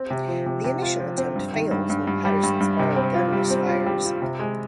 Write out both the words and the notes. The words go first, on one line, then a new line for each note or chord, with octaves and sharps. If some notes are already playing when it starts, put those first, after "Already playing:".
The initial attempt fails when Patterson's borrowed gun misfires.
Already playing: C4
C3
F3
C3
C3
F4
F3
C4
G2
D#3
G2
G2
G2
G3
G2
G2
C3
C4
F4
G3
C4
F4
G3
F4
C3
G#3